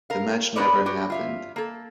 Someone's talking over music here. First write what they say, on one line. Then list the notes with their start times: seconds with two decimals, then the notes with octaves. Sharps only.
The match never happened.
0.10 A#4 F5
0.56 B3 D4 A#4 B4 C#5 D5
0.86 F#4 G4
1.10 F4 E5 F5
1.56 A#3 A4